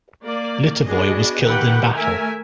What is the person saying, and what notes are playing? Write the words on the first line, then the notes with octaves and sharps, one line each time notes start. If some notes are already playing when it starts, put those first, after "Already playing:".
Litovoi was killed in battle.
A#3 D5
B3 D4 F#4 G#4 D#5
D#3 E3 G4 B4 F#5 G5
A3 A#4 E5 G#5